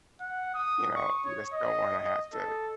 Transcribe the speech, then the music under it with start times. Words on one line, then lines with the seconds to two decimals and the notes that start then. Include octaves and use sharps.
you know, you just don't wanna have to
0.20 F#5
0.54 D#6
0.95 C#6
1.25 C#5
1.53 D#5
1.98 D#5
2.33 A4